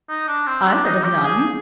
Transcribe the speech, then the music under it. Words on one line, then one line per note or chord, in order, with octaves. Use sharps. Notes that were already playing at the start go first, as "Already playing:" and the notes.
"I heard of none."
D#4
D4
C4
D4
D#4
G4
G#4